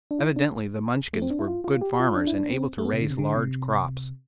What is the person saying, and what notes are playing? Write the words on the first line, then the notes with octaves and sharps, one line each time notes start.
Evidently the Munchkins were good farmers and able to raise large crops.
D4
E4
D4
A3
C4
D4
E4
F4
F4
G4
G4
F4
D4
E4
D4
C4
A3
B3
C3
D3
C3
D3
C3